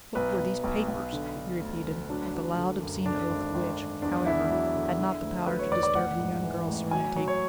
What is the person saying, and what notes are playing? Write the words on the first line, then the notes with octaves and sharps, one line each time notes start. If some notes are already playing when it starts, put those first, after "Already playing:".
"What were these papers?" he repeated, with a loud obscene oath which, however, had not the power to disturb the young girl's serenity.
B1 B4
B1
B1
B1
D3
D3
D2
D2
F#3 D4
F#3
D3
F#2
D3 D4
G#1
G#1
G#1
E2 D4
E2 E4
F#3 E4
D3
D3
D2
F#3 B4
C#5
E1 D5
D5
A1 F#5
G#2
E3
A1
F#3 G#5
F#3
C#5